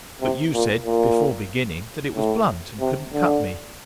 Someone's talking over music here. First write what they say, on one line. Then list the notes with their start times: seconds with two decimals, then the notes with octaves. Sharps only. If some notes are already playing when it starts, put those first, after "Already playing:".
"But you said before beginning that it was blunt and couldn't cut me!"
0.21 C3
0.54 A#2
0.86 A#2
2.15 A2
2.80 C3
3.13 D3